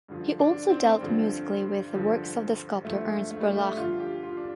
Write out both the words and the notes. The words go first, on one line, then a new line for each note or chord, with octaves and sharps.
He also dealt musically with the works of the sculptor Ernst Barlach.
G2 D3 F3
D4
C4
G2 D3 F3
G2 D3 F3
G2 D3 F3 A3
A3
G3
A3
G2 D3 F3 F4
G4
F4
D4